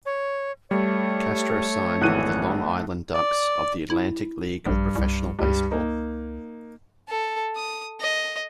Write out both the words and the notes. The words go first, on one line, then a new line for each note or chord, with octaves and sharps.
Castro signed with the Long Island Ducks of the Atlantic League of Professional Baseball.
C#5
G3 A3 C#5
G#1 E2 E3 F#6 D#7
D5
E4
A#1 G2
C2
C#2 G2 G3
A#3 D#4
A4
D#6
D#5